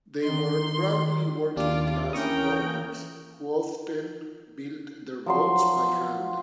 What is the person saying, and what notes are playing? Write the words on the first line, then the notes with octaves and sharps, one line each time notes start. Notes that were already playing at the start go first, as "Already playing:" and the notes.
They were "proudly working class" boaters who often built their boats by hand.
D#3 D#4 C6
D#2 D4 F4 G4 D6
E3 A#3 C#4 A#4 G5 C#6 D#6
F3 F#3 C6